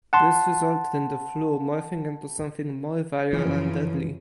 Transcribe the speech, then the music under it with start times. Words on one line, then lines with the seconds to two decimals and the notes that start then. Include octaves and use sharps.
This resulted in the flu morphing into something more viral and deadly.
0.13 F#5 A5 C6
3.33 F#2 C#3 E3 F3